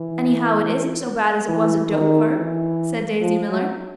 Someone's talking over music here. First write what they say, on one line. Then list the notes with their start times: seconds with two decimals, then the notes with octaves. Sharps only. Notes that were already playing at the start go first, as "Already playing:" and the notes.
"Anyhow, it isn't so bad as it was at Dover," said Daisy Miller.
Already playing: E3
1.48 E3
1.91 D#3
2.34 E3
3.20 F3
3.49 F#3